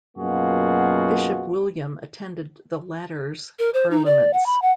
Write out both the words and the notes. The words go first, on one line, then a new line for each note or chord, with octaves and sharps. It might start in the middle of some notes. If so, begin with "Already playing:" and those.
Bishop William attended the latter's parliaments.
F#2 B2 A#3 F4 F#4 G#4
A#4
C5
D#4
D5
F#5
B5
F#5